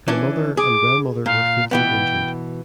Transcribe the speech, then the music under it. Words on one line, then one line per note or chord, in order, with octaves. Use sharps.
His mother and grandmother were fatally injured.
E3 C#4 D4
G#4 D6
A#2 F5
B2 E3 B3 G5